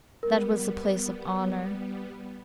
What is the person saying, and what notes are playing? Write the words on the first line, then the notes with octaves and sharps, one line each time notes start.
That was the place of honor.
G3 B3 A#4